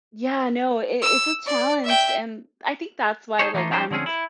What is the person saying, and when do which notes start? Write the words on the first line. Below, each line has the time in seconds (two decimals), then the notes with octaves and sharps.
Yeah, no, i i it's a challenged, and I think that's why, like, I'm
1.02 E6
1.46 D5
1.84 E5 G5
3.39 D#4 G#4 A4 C5 C#5
3.54 E3 G3 A3 A#3 D#4 F4
3.71 F3 C#4 D#4 E4 G4 C5
3.91 D3 F3 C4 C#4 G#4
4.06 E4